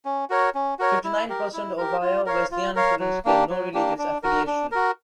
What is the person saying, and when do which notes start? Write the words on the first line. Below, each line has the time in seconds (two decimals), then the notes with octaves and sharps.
Fifty-nine percent of Ohio Wesleyan students claim no religious affiliation.
0.05 C#4
0.30 F#4 A#4 C#5
0.55 C#4
0.79 F#4 A#4 C#5
1.04 E4
1.29 G4 A#4
1.53 E4
1.77 G4 A#4
2.02 F4
2.26 A#4 C#5 F5
2.51 F4
2.75 A#4 C#5 F5
3.00 F#3
3.25 A#3 D4 G4
3.50 F#3
3.74 A#3 D4 G4
3.98 D4
4.23 F#4 A#4
4.47 D4
4.72 F#4 A#4